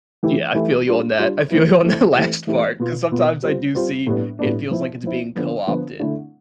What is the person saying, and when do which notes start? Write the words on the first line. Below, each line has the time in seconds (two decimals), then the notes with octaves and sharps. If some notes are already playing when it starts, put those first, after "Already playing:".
Yeah, I feel you on that, I feel you on that last part, 'cause sometimes I do see it feels like it's being co-opted
0.23 E3 A3 E4 G4
0.54 E3 A3 E4 G4
0.87 G3 D4 F4
1.19 G3 D4 F4
1.50 E3 A3 C4 E4
1.83 E3 A3 C4 E4
2.15 E3 A3 C4 E4 G4
2.47 E3 A3 C4 E4 G4
2.79 B2 B3 F4
3.11 B2 B3 F4
3.42 G3 C4 F4
3.75 G3 C4 F4
4.07 A2 G3 B3 D4
4.39 A2 G3 B3 D4
4.71 F3 C4 E4
5.03 F3 C4 E4
5.35 D3 F3 B3
5.67 D3 F3 B3
6.00 D3 A3 E4